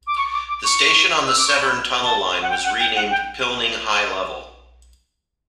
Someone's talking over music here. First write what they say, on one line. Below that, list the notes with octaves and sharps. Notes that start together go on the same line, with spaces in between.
The station on the Severn Tunnel line was renamed Pilning High Level.
D6
C#6
D6
D6
C#6
E6
D6
C#6
B5
A5
F#5
G5
F#5
G5
F#5
G5